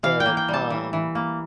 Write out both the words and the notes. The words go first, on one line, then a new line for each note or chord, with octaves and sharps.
the, um
E3 F5
G5
A#3
G5
G3
A5
E3
E3
A#3